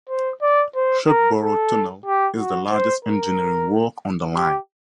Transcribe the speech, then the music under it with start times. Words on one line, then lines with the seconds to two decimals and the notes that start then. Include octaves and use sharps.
Shugborough Tunnel is the largest engineering work on the line.
0.09 C5
0.42 D5
0.75 C5
1.07 A#4
1.41 A4
2.06 G4
2.38 F#4
2.72 C5
3.05 A#4
4.36 G4